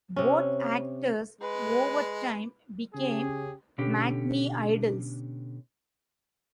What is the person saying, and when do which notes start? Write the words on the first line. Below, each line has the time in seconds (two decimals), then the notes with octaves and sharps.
Both actors, over time, became matinee idols.
0.16 C3 C#4
1.41 G#3 B4
2.95 C#3 C#4 G4 G#4
3.78 B2 D3 C#4 G4